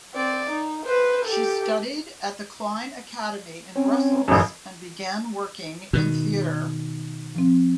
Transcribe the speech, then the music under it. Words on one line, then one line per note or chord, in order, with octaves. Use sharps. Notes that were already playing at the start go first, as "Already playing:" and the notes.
She studied at the Kleine Academy in Brussels and began working in theatre.
C4 D5
D#4
B4 C5
G4 A4
C4 C#4
A1 F#2
B2 D#3
F3 C4